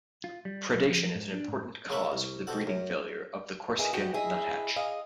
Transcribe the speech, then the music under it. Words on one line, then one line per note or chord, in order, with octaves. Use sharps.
Predation is an important cause for the breeding failure of the Corsican nuthatch.
F4
G3
B1
F3
G#2
D4
G#2
C#3 A#3 E5 B5 C#6
C2
B2 C4 A4 F#5
F#2
E4 G#4 A#4 B4 D#5
F#4 G4 F#5 G5
E4 G#4 D#5
G#4 D#5 F5